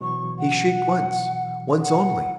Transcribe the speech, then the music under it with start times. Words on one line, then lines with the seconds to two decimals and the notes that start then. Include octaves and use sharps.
He shrieked once--once only.
0.01 B2 E3 F#3 C#6
0.39 F#5
1.81 F#5